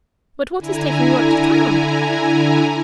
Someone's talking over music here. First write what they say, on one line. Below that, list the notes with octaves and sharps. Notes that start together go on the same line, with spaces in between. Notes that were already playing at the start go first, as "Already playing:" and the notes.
But what is taking you up to town?
D3 E4 G#5 A#5